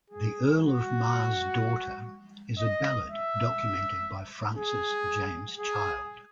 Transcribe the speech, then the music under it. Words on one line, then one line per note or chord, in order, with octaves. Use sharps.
The Earl of Mar's Daughter is a ballad documented by Francis James Child.
G#4
F#4
D#5
E5
G#4
G#4